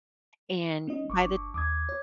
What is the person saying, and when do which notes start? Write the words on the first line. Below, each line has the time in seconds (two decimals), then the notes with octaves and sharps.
and by the
0.87 C#4 D#4 D#5
1.10 G1 C#6 D6
1.25 D4
1.54 D#2 D6 D#6 G#6
1.89 C#5